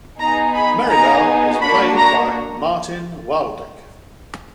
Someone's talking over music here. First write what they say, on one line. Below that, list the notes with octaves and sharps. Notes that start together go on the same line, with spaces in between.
Merrivale was played by Martin Wyldeck.
B3 D#4 G#4 A#5
B5
B3 D#4 G#4 A#5
A#3 D4 F#4 B5
A#5